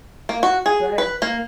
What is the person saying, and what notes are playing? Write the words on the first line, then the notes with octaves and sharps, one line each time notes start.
Go ahead.
A#3
F#4
G#4
B4
A#3